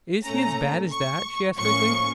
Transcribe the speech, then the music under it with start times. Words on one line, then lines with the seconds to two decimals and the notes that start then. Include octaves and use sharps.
"Is he as bad as that?" she asked quickly.
0.23 A#2 A3 C#4 A#5
0.90 C#6
1.57 A2 F3 A#3 C#4 C#6